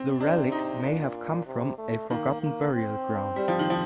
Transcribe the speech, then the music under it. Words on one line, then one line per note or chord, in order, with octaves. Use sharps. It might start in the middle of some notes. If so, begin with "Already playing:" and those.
The relics may have come from a forgotten burial ground.
Already playing: C4
C3 D4
D#4
A#2 D4
C3
A3
D#3 A#3
A#3
C4
G3
F3
D#3
F3